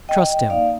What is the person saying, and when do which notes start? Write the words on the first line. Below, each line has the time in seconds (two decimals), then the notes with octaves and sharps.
Trust him.
0.09 D#5 G5
0.29 D#5 G5
0.50 A#3 D#4 D5 F5